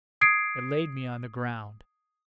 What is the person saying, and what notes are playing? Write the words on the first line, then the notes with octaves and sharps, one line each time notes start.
It laid me on the ground.
D#6 G#6 C7 D7